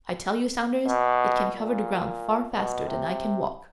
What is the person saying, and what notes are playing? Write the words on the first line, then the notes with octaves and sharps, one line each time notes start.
I tell you, Saunders, it can cover the ground far faster than I can walk.
B2
A#2
B2
C3